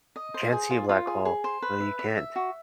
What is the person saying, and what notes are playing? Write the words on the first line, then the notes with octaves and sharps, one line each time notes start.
Can't see a black hole. No, you can't.
D#5
C5
G#4
F4
F4
G#4
G#4
C5
B4
E5
E5
E5
F#4